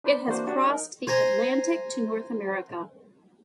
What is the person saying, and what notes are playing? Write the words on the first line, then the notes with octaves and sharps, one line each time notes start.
It has crossed the Atlantic to North America.
D4 B4 C5 D5 B5
E3 A#3 C4 D4 F#4 C5
D4 F#4 G4 A#4 C#5
D#4 A#4
C5 G#5 A#5 C6